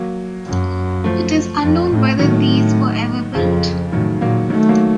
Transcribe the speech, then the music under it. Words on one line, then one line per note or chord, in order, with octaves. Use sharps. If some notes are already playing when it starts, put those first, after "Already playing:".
It is unknown whether these were ever built.
Already playing: F#3 A#3
F#2
F3 A3
F2
A2
A2 D#3 F#3
F2 C#3 F3
A2 D#3 F#3
A#2 F#3 A#3
D#3 F#3 A3
F#3 A#3